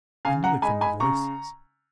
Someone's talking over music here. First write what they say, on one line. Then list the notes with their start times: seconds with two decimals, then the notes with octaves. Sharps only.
I knew it from the voices.
0.25 C#3 F5 G#5
0.44 F#5 A#5
0.62 G#3 D#4 G#5 B5
0.81 G#5 B5
1.00 C#3 A#5 C#6